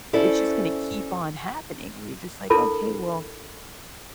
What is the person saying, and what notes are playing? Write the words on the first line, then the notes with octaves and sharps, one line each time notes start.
it's just gonna keep on happening where you're just, like, "Okay, well,
C#4 E4 A4 C5 D5
D4 E4 A4 A#4 B5